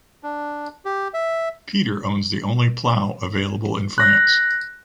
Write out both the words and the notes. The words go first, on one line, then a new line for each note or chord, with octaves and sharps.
Peter owns the only plough available in France.
D4
G4
E5
F#6 A#6